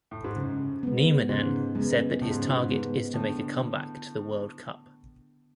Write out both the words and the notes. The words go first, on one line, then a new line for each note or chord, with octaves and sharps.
Nieminen said that his target is to make a comeback to the World Cup.
A2
G#2
F#2 C#3
G#3 B3
G#2 C#3
F#2 G#3 B3
A2 C#3
G#2
F#2
G#2
G#3 B3
A2 D3